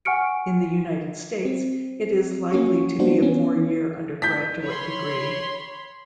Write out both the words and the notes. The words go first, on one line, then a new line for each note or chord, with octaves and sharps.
In the United States, it is likely to be a four-year undergraduate degree.
F#5 G#5 C#6 F6 C#7 D7
C4
A#3 C#4 F#4 C#6
G3 A#3 B3 D4 F#4 C5
E3 B3 C#4
G6 B6
C#5 B5 C6